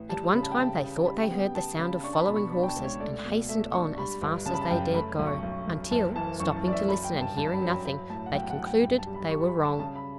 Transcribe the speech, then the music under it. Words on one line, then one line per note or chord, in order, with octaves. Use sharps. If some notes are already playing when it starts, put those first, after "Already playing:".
At one time they thought they heard the sound of following horses, and hastened on as fast as they dared go, until, stopping to listen and hearing nothing, they concluded they were wrong.
Already playing: A1
G3 A5
C#3 B5
A5
G5
C#3 A5
C#3
G3 B5
G5
B3
G5
B3 A5
C#3 B5
D4 C#6
A5
B5
B2
C#6
D4 B5
G5
A5
C#2
C#5
A3 D5
B2
A3 E5
D4 C#6
G3 B5
G1
C#3 A5
B5
A5
F#2 G5
A3 B5
B1
C#6
B1
B1
F#1 A5
E3 A5
F#2 C#6
A5
F#2 D5
E5
F#3 B5
G5
G2
A5
G2 A5
A5
B5
F#3
B5
F#3 B5
A2 A5
F#5
B1 G5
F#5
B1
G5
G2 G5
A5
G3
B5
G3 C#6
B5
G3
A5
C#3 A5
B5